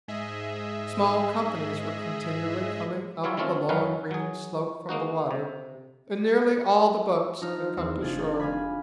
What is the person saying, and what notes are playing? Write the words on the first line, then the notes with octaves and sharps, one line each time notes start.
Small companies were continually coming up the long green slope from the water, and nearly all the boats had come to shore.
G#2 G#4 D#5 E5
F#3 G3 E4 F4 C#5
D#3 A3 C4 C#4 F4
F#2 E3 F#3 C#4 B4 F5
F#3 G#4
G#3 A#3 D#4 F#4
C3
F3 D#4 F6
E2 C4
F1 D4 F4 G#4
F5 G#5 B5